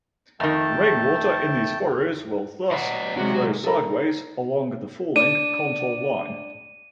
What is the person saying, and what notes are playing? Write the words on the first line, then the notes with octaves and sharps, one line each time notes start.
Rain water in these furrows will thus flow sideways along the falling "contour" line.
F2 D#3 A3 G5 A5
F#3 D5 D#5 F#5
C3 D#3 G#3 F#4
A4 A#4 A#5
D4 D#7